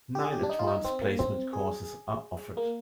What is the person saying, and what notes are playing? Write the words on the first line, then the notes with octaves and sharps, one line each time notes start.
Nine advanced placement courses are offered.
G4
G#4
G4
D4
D#4
F4
D#4
C4
A#3
C4
G#4
A#3